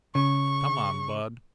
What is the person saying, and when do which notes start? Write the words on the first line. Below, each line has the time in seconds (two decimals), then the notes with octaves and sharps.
Come on, Bud.
0.15 C#3 C#6